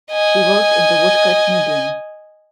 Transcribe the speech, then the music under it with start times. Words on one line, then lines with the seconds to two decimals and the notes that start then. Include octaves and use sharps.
She worked in the woodcut medium.
0.11 D#5 G#5